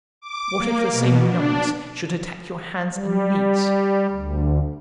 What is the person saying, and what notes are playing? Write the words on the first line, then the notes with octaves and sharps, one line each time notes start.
What if the same numbness should attack your hands and knees?
D6
A#3
B2
D4
G3
D2